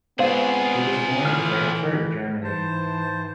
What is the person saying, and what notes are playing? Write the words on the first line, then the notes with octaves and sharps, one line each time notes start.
He was born in Frankfurt, Germany.
G#3 B3 C4 D4 F4 G#4 C5 F5
A2 E3 F6
G#2 E3 C5 A5